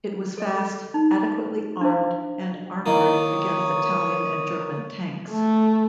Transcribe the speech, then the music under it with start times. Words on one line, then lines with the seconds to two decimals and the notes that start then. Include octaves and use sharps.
It was fast, adequately armed and armoured against Italian and German tanks.
0.37 A4 D#5
0.94 D#4
1.81 D4 E4 C5 F5
2.86 D#3 A#3 E4 C#5 D#5 D#6
5.31 A3